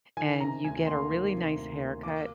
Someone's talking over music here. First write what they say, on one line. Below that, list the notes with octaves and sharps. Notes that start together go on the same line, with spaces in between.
and you get a really nice haircut,
D#3 G#5
C3 A#5
D2 G#5
A#3 C6
D#3
C3
D2
A#3
A#3 D6